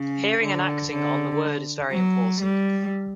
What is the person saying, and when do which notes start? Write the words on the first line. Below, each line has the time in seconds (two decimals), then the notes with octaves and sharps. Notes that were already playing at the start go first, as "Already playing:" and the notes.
Hearing and acting on the Word is very important.
Already playing: C#3
0.42 D3
0.92 D3
1.92 F#3
2.42 G3